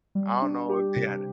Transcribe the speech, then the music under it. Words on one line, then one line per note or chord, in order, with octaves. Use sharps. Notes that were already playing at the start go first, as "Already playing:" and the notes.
I don't know if they had it
G3
D4
G4
C3